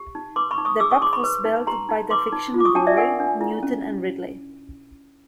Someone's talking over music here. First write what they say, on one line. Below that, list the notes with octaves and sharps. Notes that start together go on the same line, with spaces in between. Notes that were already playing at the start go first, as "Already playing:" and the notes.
The pub was built by the fictional brewery Newton and Ridley.
Already playing: G4
D#4
B4 C6 D6
B5 C#6
D#4
C#6 D#6
G#4 D6 E6
C#6 D#6
D#4 C6 D6
B5 C#6
B4
D#4
G4 A#5 C6
D#4
B4 C6 D6
D#4
F4
D6
C#6 D#6
D4 G5 A5
D5 E5
A#4 F#5 G#5
D4
E4
C#4